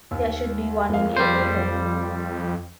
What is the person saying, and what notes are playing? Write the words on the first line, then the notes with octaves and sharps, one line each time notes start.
There should be one in every home.
D#2
F2 A#3 G#4 F5
G3 C5